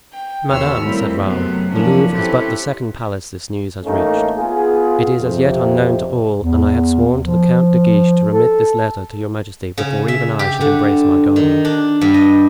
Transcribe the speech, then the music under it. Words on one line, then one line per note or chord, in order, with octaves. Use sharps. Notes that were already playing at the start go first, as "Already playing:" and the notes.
"Madame," said Raoul, "the Louvre is but the second palace this news has reached; it is as yet unknown to all, and I had sworn to the Count de Guiche to remit this letter to your majesty before even I should embrace my guardian."
G5
D#2 B2 C#5 C6 E6 F6
G3 A3 A#3 C4 E4
F#2 C3 F#3 A3 B3 C4
E3 F3 A#3 C#4 D4
C4 C#4 E4 G4 A4 B4
A1 A3 A#3 C#4 D#4
B3 F4 G#4
F2 C3
E2
F3
A4
C#3
E5
G4
D3
D#3
D4
G2
D#5